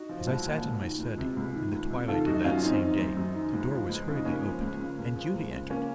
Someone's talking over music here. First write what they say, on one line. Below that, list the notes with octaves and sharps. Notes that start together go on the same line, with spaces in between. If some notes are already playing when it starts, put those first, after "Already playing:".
As I sat in my study, in the twilight of that same day, the door was hurriedly opened, and Judy entered.
Already playing: D#4 F#4
F3
C2
A#2
C#2
D#3
C#2
C3
C#2
D#3
C#2
C3
D#3 F4 A4
F#2 D#4 F#4
F#2 C#4 F4
D#3 C4 D#4
D#3
F#2
F#2
D#3
C#2
F3
C#2
C#3
D#4
C#2 A#3 C#4
F3
C#2
C#3
C#2
F3
C#2
C#3
A#3 C#4